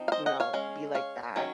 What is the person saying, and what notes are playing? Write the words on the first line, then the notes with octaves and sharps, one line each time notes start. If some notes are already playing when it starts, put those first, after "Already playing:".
you know, be like that,
Already playing: F3 C4 D#4
F5
C5 D#5
D#5 F#5
C#5 F5
G#3 C#4
C#5 F5
D#3 F#3 C#4